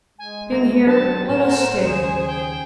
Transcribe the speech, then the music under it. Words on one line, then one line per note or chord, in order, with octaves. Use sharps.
'Being here, let us stay.
G#3 G#5
D2 A#3 A#6
F#3 C4 D4 C5 A5
A2 A#4 F#5 E7
D#2 C#3 G#4 G#5
G5